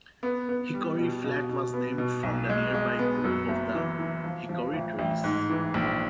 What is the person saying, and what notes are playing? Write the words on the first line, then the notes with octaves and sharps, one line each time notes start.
Hickory Flat was named from a nearby grove of hickory trees.
B3
B3
G3
B2
B2
B2
B3
B2
B1
G#3
G#3
B3
F#2
F#1
E3
E3
F3
F3
A1
A1
G#2
E3
A#1